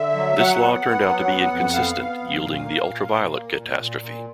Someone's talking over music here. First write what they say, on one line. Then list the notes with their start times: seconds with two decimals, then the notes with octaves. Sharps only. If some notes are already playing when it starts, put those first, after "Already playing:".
This law turned out to be inconsistent yielding the ultraviolet catastrophe.
Already playing: D3 E5
0.15 F#3
0.37 F#3 F#5
0.60 B3
0.84 B3
1.06 F#3
1.29 B3
1.51 F2
1.73 B3 F5
1.96 B3
2.20 F2
2.42 A#2
2.64 A#3
2.87 A#2
3.10 A#2
3.33 A#3
3.56 A#2
3.77 A#2
4.00 A#2